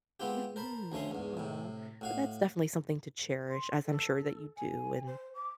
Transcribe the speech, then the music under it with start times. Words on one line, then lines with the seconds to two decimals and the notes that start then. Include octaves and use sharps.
Mhm, aw, but that's definitely something to cherish as I'm sure that you do, and
0.20 G#3 B3 C4 F4 G4
0.56 A#4 C5 A5 B5
0.92 D2 F3 A3 C#4 C6
1.11 E2 G#2
1.37 A2 C3
2.01 A2 F#4 F5
3.49 C6
3.85 A4
4.57 G#5
5.07 C5
5.34 D6